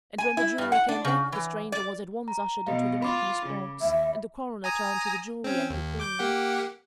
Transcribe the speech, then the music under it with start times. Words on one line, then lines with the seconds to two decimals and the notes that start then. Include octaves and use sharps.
And when the jury came back the stranger was at once ushered into the witness-box, and the Coroner turned to the jury and the court.
0.18 G#5
0.37 E4
0.58 G2
0.72 F#5
0.88 D4
1.04 C#3
1.32 E3
1.72 D5
2.28 A#5
2.67 B2 D#5 F5
3.02 F4 B5 D6
3.46 C#3
3.81 D#2 E5
4.64 G#5 A#5 D#6
5.44 C4 C#4
5.70 D#2
6.00 D6 G6
6.19 A#3 G4 F#5